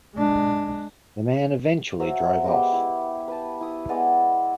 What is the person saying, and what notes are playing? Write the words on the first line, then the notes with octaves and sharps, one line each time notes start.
The man eventually drove off.
G#3 D4
F#3 C5 E5
G#3 B3 G4
E4 G4
B4 A5
E4 D#6
G#3 B3 D5 G#5